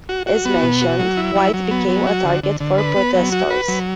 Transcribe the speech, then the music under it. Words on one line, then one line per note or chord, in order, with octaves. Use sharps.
As mentioned, White became a target for protestors.
F#4
F#4
B3
B2
F#4
F#3
E4
F#3
F#3
B3
F#3
F#4
D3
D3
D3
B4
B3
F#3
F#4
B4
F#3